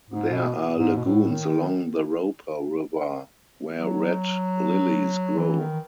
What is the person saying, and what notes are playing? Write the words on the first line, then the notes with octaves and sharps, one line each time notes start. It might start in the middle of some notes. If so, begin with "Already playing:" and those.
There are lagoons along the Roper River where red lilies grow.
G#2
B2
G#2
B2
A2
D#3
F#3
E3
D#3